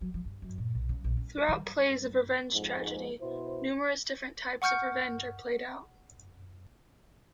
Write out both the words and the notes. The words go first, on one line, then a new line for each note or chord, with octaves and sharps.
Throughout plays of Revenge Tragedy, numerous different types of revenge are played out.
F#3
F3
G2
F#2
A#2
B1
C#3
A#1
C#4
A3
D#3
F2 G#2
B2 E4 C5
F#5 C#6 F6 G6 C#7